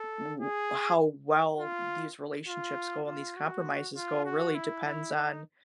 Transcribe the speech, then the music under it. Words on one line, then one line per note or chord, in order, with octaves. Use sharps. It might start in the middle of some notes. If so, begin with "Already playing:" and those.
w w how well these relationships go and these compromises go really depends on
Already playing: A4
G#4
F4
F4
F4
F#4
F4
F#4
E4
E4
D#4